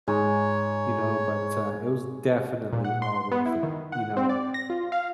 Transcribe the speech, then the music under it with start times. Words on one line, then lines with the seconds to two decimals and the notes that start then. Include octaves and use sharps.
you know, but, uh, it was definitely all worth it, you know.
0.08 G#2 G#3 D#4 C#5
2.73 A#2
2.84 F#5
3.02 C6
3.32 B3
3.46 E4
3.63 D#3
3.92 F#5
4.17 C4
4.29 D5
4.54 A#6
4.70 F4
4.92 F5